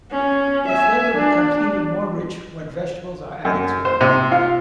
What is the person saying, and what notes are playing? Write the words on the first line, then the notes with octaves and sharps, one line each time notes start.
The flavour becomes even more rich when vegetables are added to it.
C#4
E5 G#5
D4
F#2
C5
C3
F4